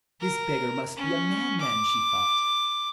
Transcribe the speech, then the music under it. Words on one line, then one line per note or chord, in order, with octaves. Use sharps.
This beggar must be a madman, she thought.
A#4
C#4
D6